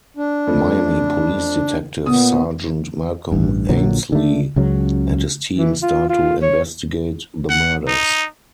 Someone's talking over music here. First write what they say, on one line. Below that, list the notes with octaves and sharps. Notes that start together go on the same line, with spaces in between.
Miami Police Detective Sergeant Malcolm Ainslie and his team start to investigate the murders.
D4
F2 A3
A#2 B3 D#6
A1 G2
A#1 A#2 D3 F#3
D3 A3
C#2 C#3 F#3
E3
F4
F4
C#5
F#5
D#4